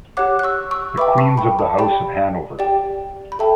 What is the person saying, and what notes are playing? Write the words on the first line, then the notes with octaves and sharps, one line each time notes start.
"The Queens of the House of Hanover".
G4 C#5 F#5 D6 F#6
F#6
C#6 E6
C#6 E6
B4 E5 G5 B5 D6
A5 C#6
G5 B5
A5
G4 D5 G5 B5
G4 D5 G5
B5
A4 E5 G5 A5